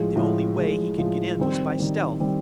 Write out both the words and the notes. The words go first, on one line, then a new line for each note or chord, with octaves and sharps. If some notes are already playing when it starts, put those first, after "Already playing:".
The only way he could get in was by stealth.
Already playing: A2 F3 G#3
A2 F3 G#3
A2 F3 G#3
A2 F3 G#3
D#3 G3 C4
D#3 G3 C4
D#3 G3 C4